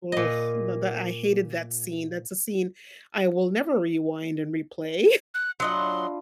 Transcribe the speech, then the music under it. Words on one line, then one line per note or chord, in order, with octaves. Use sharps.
ugh, no that I hated that scene, that's a scene I will never rewind and replay,
A#2 D#5
F#6
F#3 D4 E4 F4 D#5 F#5 C6